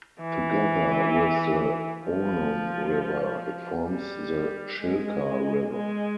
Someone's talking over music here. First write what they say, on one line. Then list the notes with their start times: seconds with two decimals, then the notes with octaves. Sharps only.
Together with the Onon River, it forms the Shilka River.
0.21 E3
2.04 F3
3.87 G3
4.80 G#3
5.70 G#3